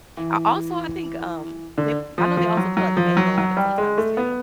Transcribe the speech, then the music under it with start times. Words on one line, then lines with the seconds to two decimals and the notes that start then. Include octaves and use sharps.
I also I think, um, they I know they also put, like, mango in it sometimes too,
0.17 E3
1.78 D3
2.18 F3
2.37 F3
2.57 F#3
2.77 F#3
2.97 F3
3.17 F#3
3.38 F#3
3.57 G3
3.78 G#3
3.98 A3
4.17 B3